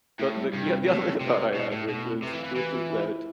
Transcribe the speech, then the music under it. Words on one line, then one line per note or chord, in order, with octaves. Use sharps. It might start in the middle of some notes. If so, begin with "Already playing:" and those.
So the the, uh, the other thought I had, which was which is that
A2 E4
G3
G2 C3
C4
A2 A3
A3
C3 E4
A3
B2 E4
A2 A3
B2 A3
C4
C3 B4
E3
F5
E3
E3 B4
F4
E4
E4